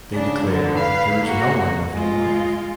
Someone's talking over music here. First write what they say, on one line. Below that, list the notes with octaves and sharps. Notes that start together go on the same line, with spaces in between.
They declare that there is no one left alive.
C#3 D4
D3 F#3
B4 F5
A#3 F#4
G#3 F4